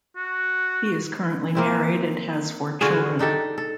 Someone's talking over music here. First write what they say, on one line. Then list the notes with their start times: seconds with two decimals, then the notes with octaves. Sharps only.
He is currently married and has four children.
0.16 F#4
1.55 A#3 C4 E4
2.81 D3 F4 F#4 G#4
3.19 D4 D#4 G4 A4
3.58 A4